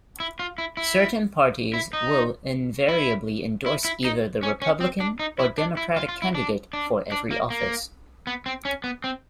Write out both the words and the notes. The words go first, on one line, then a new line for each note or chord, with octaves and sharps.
Certain parties will invariably endorse either the Republican or Democratic candidate for every office.
E4
F4
E4
E4
E4
D#4
E4
E4
E4
D#4
C#4
C#4
C4
D4
D#4
E4
D4
E4
F4
F4
E4
D4
D4
D4
A#3
A#3
B3
C4
C#4
B3
C4